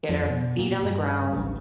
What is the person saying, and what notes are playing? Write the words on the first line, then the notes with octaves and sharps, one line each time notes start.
get our feet on the ground,
F2
B2
A#2
G2
D1 A1